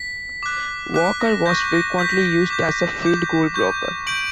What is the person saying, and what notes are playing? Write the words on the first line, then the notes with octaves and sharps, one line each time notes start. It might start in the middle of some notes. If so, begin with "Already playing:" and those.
Walker was frequently used as a field goal blocker.
Already playing: B6
D6 F#6
D6 F#6 B6
A#6
C#6 G6 A#6
A#6
C#6 G6 B6
D6 G6
D6 G6
C#6 G6
C#6 G6 D7 F#7